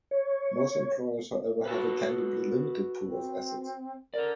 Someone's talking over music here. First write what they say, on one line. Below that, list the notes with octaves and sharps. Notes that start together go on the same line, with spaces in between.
Most employers, however, have a tangibly limited pool of assets.
C#5
F#4 A4 B4
C4
A4 A#4 D5